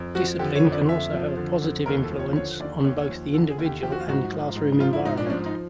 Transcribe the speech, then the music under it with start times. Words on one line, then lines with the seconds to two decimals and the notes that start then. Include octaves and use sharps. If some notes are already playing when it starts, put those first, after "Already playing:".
Discipline can also have a positive influence on both the individual and classroom environment.
Already playing: F2
0.15 F3 F#4
0.39 D3 G4
0.55 C#5
0.64 F2
0.72 D5
0.88 F2 E5
1.13 F3
1.37 D3
1.62 F2
1.86 D#2 A#4
2.03 A4
2.11 F3
2.19 C#5
2.35 D3 C#5
2.60 D#2 D5
2.84 D#2 C#5
3.01 C#5
3.08 F3
3.34 D3 A4
3.49 G#4
3.58 D#2
3.66 G4
3.82 F3 G4
3.92 F#4
4.00 F4
4.07 G#2 F#4
4.32 F3
4.56 G#2
4.80 F3 F4
4.93 E4
5.05 G#2 D#4
5.17 D4
5.26 C#4
5.30 F3 D4
5.46 D#4